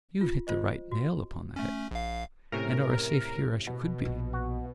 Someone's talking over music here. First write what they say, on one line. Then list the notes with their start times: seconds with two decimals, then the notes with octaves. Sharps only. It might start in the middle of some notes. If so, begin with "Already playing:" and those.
You've hit the right nail upon the head, and are as safe here as you could be.
0.21 F4
0.47 F4 C5 D#5
0.91 F#4
1.56 A3 C#4
1.91 A#1 F5
2.52 A2 C3 C#4 A#4
3.67 B2
4.05 A#1
4.33 F#4